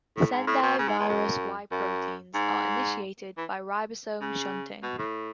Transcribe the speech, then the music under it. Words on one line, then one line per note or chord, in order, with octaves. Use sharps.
Sendai virus Y proteins are initiated by ribosome shunting.
A2
G#2
A2
B2
C#3
G#2
E2
F#2
F#2
G#2
E3
C#3
B2
A2